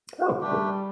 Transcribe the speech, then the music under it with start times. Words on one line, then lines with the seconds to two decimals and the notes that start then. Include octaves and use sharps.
Oh, cool.
0.40 G3 A3 D4 G4